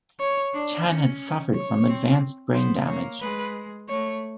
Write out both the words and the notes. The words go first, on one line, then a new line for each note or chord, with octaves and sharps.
Chan had suffered from advanced brain damage.
C#5
D4
C#4
C#5
C4
B3 C5
A#3 C#5
G#3 B4
A3 C#5